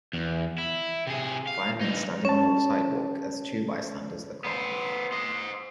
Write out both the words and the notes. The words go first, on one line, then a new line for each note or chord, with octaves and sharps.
Firemen standing on the sidewalk as two bystanders look on.
E2
E4
C3 G#4
F5
G2 D#4
C#4 C#5 A5
B3 C5
C5 D#5